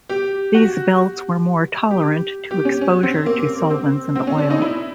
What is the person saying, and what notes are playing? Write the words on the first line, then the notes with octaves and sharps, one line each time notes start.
These belts were more tolerant to exposure to solvents and oil.
G4
F#4
G4
G4
C#4
C#4
C4
A#3
C4
C4
C#4
D4
D#4
E4